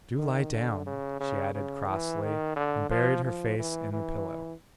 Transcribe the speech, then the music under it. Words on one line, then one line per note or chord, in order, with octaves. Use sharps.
"Do lie down," she added crossly, and buried her face in the pillow.
D#3
D3
C#3
C#3
C#3
E3
D#3
D3
F3
F3
E3
E3